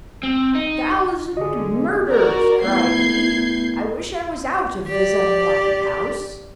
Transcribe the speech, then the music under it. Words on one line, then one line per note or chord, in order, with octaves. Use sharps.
"Thousand murders!" cried he; "I wish I was out of this unlucky house."
C4
D#4
D3 G#4 D#5
F#4 A#4 D5
A3 B3 E4 G6 G#6 C7
G4 D5